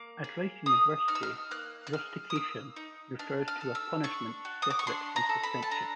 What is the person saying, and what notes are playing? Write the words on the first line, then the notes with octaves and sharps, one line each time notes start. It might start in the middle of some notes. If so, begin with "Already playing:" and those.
At Rice University, rustication refers to a punishment separate from suspension.
Already playing: A#3 D6
G#4
A#3 D#6
D#4 F6
E6
F6
A#3 F#6
F#6
G#4 F6
D#6
A#3 E6
D#4
D4 F6
F6
A4
E6
D4 C#6
F#4
D#6
D6
C#6
D4 C6
A#5
A4
B5
A5
D4 A#5